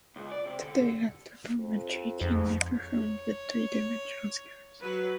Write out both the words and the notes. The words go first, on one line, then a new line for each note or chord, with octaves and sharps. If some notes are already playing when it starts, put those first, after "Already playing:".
Today anthropometry can be performed with three-dimensional scanners.
C#2
D5
C3
D3
F2
F2 G#2
C#5
F#3 B4